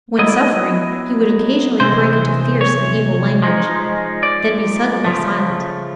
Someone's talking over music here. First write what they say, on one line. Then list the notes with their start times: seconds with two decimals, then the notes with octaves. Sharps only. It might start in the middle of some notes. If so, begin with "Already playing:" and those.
When suffering, he would occasionally break into fierce and evil language, then be suddenly silent.
0.19 F#3 B3 E4 D#5
0.28 D5
0.37 D#5
1.80 C3 E3 G#3 C4 C5
2.61 C#5
3.42 F3 G#3 C4 D#4
4.23 D5
5.04 C#3 F3 A3